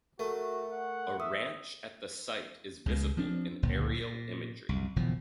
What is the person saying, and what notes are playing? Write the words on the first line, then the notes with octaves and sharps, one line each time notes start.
A ranch at the site is visible in aerial imagery.
A3 F#4 A#4
F#5
E5 D#6
C#2 C#3 G#3
F3 C4 D4
F#1 C#2 A#2 D3
A#2
C2 F#2
F#1 B2 E3 F3